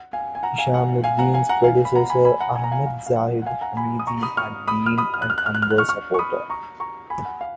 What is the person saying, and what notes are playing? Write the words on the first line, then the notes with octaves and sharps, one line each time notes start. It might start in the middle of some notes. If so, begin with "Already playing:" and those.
Hishammudin's predecessor, Ahmad Zahid Hamidi, had been an Anwar supporter.
Already playing: F#5
F5 G#5
G#5
F#5 A#5
F5 G#5
F#5
F5 G#5
F#5 A#5
F5 G#5
F#5 A#5
F5 G#5
B5
F#5 A#5
G#5 B5
G#5 B5
F#5 A#5
G#5
A#5
F5 G#5
F5
F5
F#5
F#5
F5 G#5
F#5 A#5
G#5 B5
D#6
A#5 C#6
B5 D#6
C#6 F6
B5 D#6
F6
B5 D#6
F6
F#6
F6
F#6
F6
F#6
F6
F#6
C#6 F6
C#6 F6
C#6
B5 D#6
A#5 C#6
A#5 C#6
G#5 B5
F#5
F5